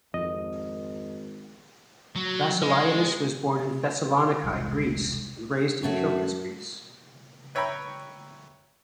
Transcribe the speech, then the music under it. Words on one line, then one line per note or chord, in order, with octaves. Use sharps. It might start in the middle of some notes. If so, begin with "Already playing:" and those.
Vasileiadis was born in Thessaloniki, Greece, and raised in Kilkis, Greece.
G#1 F2 D#5
F#3
G#3
E1 C2 G#2
F#2 F#3 A3 F#4
B4 C#5 E5 G5 A#5 B5